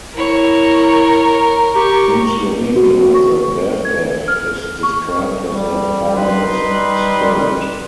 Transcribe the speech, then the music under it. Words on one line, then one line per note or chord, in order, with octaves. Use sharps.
In Slovenia, the "Bavbav" is described as a formless spirit.
E4 A#4 C#5
G4 C#6
F#4
C#6
G#6
F6
C#6
G3
D#4 B4 C6
G3